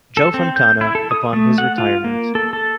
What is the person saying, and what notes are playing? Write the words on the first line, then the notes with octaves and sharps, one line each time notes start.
Joe Fontana upon his retirement.
A4
C4
G6
E4
A4
D#6
A3
F#5
F4
A#3
A4
A4